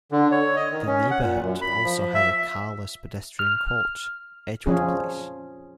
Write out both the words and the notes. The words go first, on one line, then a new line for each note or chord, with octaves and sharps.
The neighborhood also has a carless pedestrian court, Edgewood Place.
D3
C#5
D#5
D#3
C#4
F#5
A#2
F#2
B5
F3
E5
F6
F3 C#4 G#4